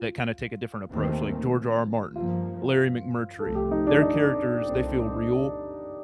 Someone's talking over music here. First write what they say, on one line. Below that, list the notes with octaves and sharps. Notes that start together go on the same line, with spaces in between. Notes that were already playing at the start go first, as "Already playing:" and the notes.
that kinda take a different approach, like George R. R. Martin, Larry McMurtry. Their characters; they feel real,
Already playing: F4
D#2 D#3 A3 C4
G2 F3 A#3 F4
C2 C3 F3 A3 A4
G4
D#4
D4
D#4
C2 A#2 A3 C4